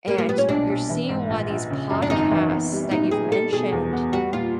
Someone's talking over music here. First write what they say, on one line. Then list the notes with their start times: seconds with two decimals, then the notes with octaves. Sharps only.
And you're seeing a lot of these podcasts that you've mentioned
0.08 G3 A#3
0.18 A#3
0.29 A#2 B3
0.38 C#4
0.49 B1 D4
0.69 B1
0.89 E3
1.09 G#2
1.30 A#1
1.50 A#1
1.70 C#3
1.91 F#2
2.02 D4
2.10 G#1 D#4
2.31 E3
2.51 B3
2.72 G3
2.91 A#2 D#4
3.11 D#4 G#4
3.32 G3 A4
3.53 B2 G#4
3.72 E2
3.93 B3
4.12 G3 F#4
4.33 A#2 F4